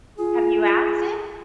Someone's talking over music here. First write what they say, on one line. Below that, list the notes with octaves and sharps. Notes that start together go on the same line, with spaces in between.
Have you asked him?
F4 G#4